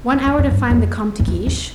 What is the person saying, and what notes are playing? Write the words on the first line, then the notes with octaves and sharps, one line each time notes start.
"One hour to find the Comte de Guiche."
F2
F2
F2
G2
F2
F2
E2
E2